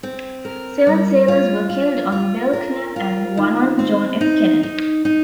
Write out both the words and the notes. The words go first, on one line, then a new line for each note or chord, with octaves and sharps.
Seven sailors were killed on "Belknap" and one on "John F. Kennedy".
C4
A#4
G3
F4
F4
F4
A#4
F4
D#3
C4
D#4
D#4
D#4